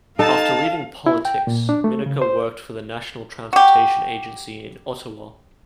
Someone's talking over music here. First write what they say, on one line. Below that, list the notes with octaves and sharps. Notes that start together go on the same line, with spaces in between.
After leaving politics, Minaker worked for the National Transportation Agency in Ottawa.
D#4 A4 F5 A5
E4
G5
A#2
D4
A3
C#3
C5
F#4 G4